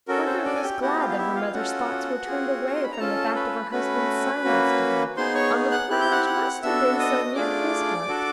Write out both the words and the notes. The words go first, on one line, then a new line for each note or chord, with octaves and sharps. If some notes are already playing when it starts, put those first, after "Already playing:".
Margaret was glad that her mother's thoughts were turned away from the fact of her husband's silence to her on the point which must have been so near his heart.
C#4 F#4 A4 A#4
C4 C5
D4 D5
G#5
G4 G5
B3 E4 F#4 G4 F#5
F4 F5
F5
E4 E5
F4 F5
C#4 F4 F#4 A4 F#5
C4 F4 G#4
C#6
C6
B5
A#5
C#4 F4 A4 A5
B4 B5
A3 C#4 F#4 B4 B5
A#3 C#4 F#4
B3 D#4 G#4 C5 C6
C#5 C#6
F#5 F#6
C4 E4 G4 F#6
G6
F#5 F#6
F#5 F#6
B3 D4 F#4 A4 E5 E6
D#5 D#6
A3 D4 F4 G#4 D5 D6
D4 F#4 A4